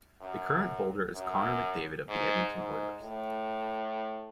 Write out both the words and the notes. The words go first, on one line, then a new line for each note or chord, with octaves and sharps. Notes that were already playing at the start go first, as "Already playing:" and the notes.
The current holder is Connor McDavid of the Edmonton Oilers.
F#2
F#2
G#2
G#2
A2